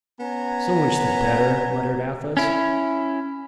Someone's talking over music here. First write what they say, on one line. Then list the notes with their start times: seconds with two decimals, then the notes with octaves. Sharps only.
"So much the better," muttered Athos.
0.20 B3 C#4 G#5 A#5
2.37 C#4 E4